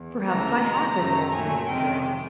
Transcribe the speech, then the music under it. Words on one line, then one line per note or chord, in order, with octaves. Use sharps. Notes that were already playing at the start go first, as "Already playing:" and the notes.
'Perhaps I have been wrongly informed.
Already playing: E2
D2 C#3 E3 A3 A#5
B2 G#3
F#2 C#3 F#3 A3
A#2 F#3 A3 G#5
F2 C3 D#3 G#3 G5